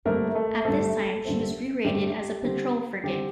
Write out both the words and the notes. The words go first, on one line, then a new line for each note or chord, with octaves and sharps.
At this time, she was re-rated as a patrol frigate.
G2 D3 A3 A#3 C4 A#4
A3 A4
G2 D3 A3 C4 A4
G2 D3 A3 C4
G2 D3 A3 C4 G4
D3 G3 C4
D3 G3 C4 G4